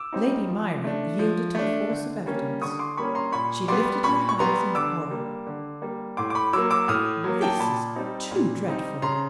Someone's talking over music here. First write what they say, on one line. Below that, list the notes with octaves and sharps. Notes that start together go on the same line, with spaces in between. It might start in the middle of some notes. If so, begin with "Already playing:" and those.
Lady Myrie yielded to the force of evidence; she lifted her hands in horror: "This is too dreadful!"
Already playing: D6 E6
G3 C4 D#4
F3
A3 D4
F3
A3 D4
D3
G3 A#3 C#4
D3 C#6 D#6
C6 D6
G3 A#3 C#4 B5 C#6
A#5 C6
A#2 B5 C#6
G3 B3 C6 D6
A#2 B5 C#6
C#6
G3 B3 A#5 C6
D3 D6 E6
G3 A#3
D3
G3 A#3
A2 C6 D6
D6
B5 C#6
F#3 A#3 D6 E6
D6 E6
A2 D#6 F6
F#3 A#3
G5 A5
A#2 A5 B5
G3 C4 D#4
A#2
G3 C4 D#4
C#3 A#5 C6